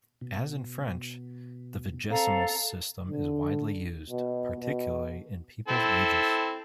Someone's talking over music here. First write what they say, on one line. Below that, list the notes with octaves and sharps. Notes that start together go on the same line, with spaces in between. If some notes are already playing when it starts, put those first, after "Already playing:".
As in French, the vigesimal system is widely used, particularly in people's ages.
B2
C4 A4 F5 A#5
D3
B2
B2
C4 E4 A4